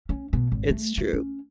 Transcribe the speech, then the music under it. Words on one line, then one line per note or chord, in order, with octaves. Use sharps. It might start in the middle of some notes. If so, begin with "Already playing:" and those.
It's true.
C#4
B2
G#1
A3
A3
C#4